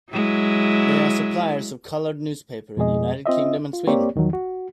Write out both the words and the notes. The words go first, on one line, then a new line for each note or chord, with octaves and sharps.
They are suppliers of colored newspaper in the United Kingdom and Sweden.
F#3 G#3 E4
F2 B2 G#3 G#4 D#5
C4 F4 D#5 E5
F4
A#3 C4 G4 C#5 D5
E2 D#3 F3 F#3
F#4